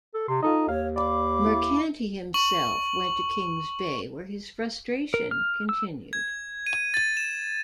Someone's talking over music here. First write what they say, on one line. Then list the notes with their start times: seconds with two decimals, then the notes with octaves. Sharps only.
Mercanti himself went to Kings Bay where his frustration continued.
0.14 A4
0.28 C3 C6
0.43 D#4 F4 A4 D#5
0.69 D#2 C#5 F5
0.96 D5 F5 B5 D6
1.46 E4
2.34 C#6 F#7
5.14 A#4
5.31 F6
5.69 E6
6.13 G#6
6.67 D#7
6.94 A6
7.17 E7